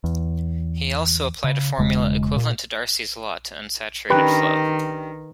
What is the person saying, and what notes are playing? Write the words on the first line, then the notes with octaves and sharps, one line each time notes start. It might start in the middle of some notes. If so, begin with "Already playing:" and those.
He also applied a formula equivalent to Darcy's law to unsaturated flow.
E2
C#3
E1 C#3 G#3
A#2
D#3 C#4 D4 G4 B4